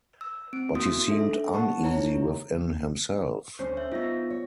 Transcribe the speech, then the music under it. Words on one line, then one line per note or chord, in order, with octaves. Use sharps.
But he seemed uneasy within himself.
E6
C4 D7
A#3 E4 F#4 C6 D#6
D4 A4 E5
F#5 A5 C#6
D#4 E4 C#5 A#5
D2 C#4 C5
E5 G6
B3 D#4 F4 G5 A#6
C#5